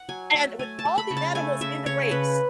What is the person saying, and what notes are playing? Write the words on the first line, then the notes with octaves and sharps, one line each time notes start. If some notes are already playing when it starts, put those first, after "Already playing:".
and with all the animals in the race,
Already playing: F#5
F#3 G#5
A3
A3 G#5
A5
A3
B5
C#3
A5
A3 G#5
C#3 E5
C#3 C#5
C#3 B4